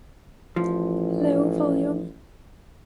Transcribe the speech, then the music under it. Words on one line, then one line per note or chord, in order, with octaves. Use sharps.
Low volume.
A1 F3